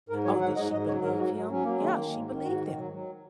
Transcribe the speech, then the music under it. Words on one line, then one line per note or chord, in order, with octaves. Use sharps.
Oh, did she believe him? Yeah, she believed him.
G#2 A#4
F#3 C#5
G#2 F#5
G#2 D#5
G#2 D#5
F#3 C#5
G#2 A#4
F#3 F#4
F#3
F#3 C#4
F#3 A#3
D#3 G#3
A#3
D#3
G#2
D#3
G#2 F#4
D#3
F#3
F#3